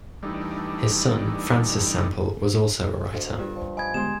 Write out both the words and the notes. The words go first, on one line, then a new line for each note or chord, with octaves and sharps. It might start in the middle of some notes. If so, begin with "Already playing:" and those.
His son, Francis Sempill, was also a writer.
E3 G3 A3 D4 D#4
D2 C5 D#5 F5
G2 F4
F3 D5
D#5 F5 G#5 B5 G#6
D3 G#3 B3 G4 C5 E7